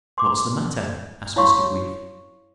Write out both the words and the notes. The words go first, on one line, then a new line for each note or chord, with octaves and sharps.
"What's the matter?" asked Mr. Brief.
C6 D6
E4 C#5 F5 C6 C#6